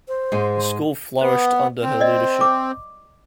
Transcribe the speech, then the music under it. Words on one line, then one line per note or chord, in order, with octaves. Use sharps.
The school flourished under her leadership.
C5
G#2 G#3
B3 C5
C4
D5 D#5
D6